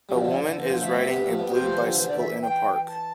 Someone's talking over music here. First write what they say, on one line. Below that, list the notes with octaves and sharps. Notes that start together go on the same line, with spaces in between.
A woman is riding a blue bicycle in a park.
G3
D3 F3 E5
D5
D3 F3
D3
E3 C5
D3 F3
F3 A3 E5
A3 C4
G3 B3
G3 B3
F3 A3
G3 B3
G3 B3 C5
F3 A3
E3 G3
D3 F3
E3 C5
D3 D5
E3
E5
G5
A5